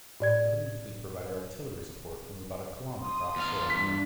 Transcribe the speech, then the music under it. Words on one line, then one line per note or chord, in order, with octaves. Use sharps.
The Ottoman fleet provided artillery support, from about a kilometer off shore.
A2 D5 G#6
C6 D#6
E2 F5
G2 D4 B6